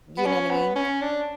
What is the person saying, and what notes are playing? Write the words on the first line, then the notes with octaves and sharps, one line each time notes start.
you know, what I mean?
B3
C#4
B3
C#4
D4